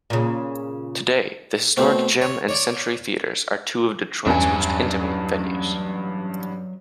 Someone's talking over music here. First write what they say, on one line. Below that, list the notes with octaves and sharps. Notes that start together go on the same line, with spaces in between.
Today, the Historic Gem and Century Theatres are two of Detroit's most intimate venues.
A#2 C#3
B2 A3 C4
C#5
C#5 D5
A1 E2 G2 F#3 C#4 E5 G#5